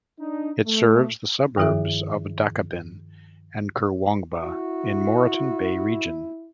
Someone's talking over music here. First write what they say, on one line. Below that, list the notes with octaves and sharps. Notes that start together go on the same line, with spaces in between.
It serves the suburbs of Dakabin and Kurwongbah in the Moreton Bay Region.
D4 D#4
A3
G2 D#3 F3 E4 G#4 E5
E4 F#4